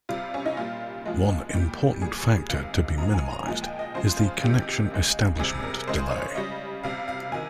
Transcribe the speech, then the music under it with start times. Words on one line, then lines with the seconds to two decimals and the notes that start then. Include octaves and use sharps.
One important factor to be minimized is the connection establishment delay.
0.09 C3 G3 F4
0.34 C#4
0.46 D#4
0.57 A#2 G3 F4
1.05 A#2 F3 G#3
1.54 A#2 G3 G4
2.02 A#2 G3 G#4
2.49 C3 D#3 G#3 F5
2.98 C#3 F3 G#3 A#5
3.14 G#5
3.31 A#5
3.47 A#2 F3 G#3 G#5
3.63 G5
3.79 D#5
3.94 C#3 F3 G#3 C5
4.19 F4
4.42 C3 D#3 G#3 G4
4.91 C#3 G#3
5.39 C3 G3 G#4
5.64 A#4
5.88 C#3 G#3 C5
6.11 C#5
6.35 C#3 G3 D#5
6.84 C3 G3 F5
7.08 F5
7.32 C3 D#3 G#5